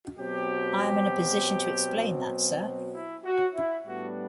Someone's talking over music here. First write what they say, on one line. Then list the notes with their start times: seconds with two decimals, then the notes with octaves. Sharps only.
I am in a position to explain that, sir.
0.18 B2 F#3 C4 G4
2.94 E4
3.24 F#4
3.55 E4
3.86 A2 G3 B3 D4 F#4